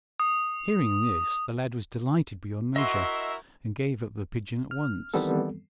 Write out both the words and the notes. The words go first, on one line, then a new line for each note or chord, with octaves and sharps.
Hearing this, the lad was delighted beyond measure, and gave up the pigeon at once.
D#6
E4 F#4 A#4 D#5 E5 C6
F6
D#3 E3 G3 B3 C4 A4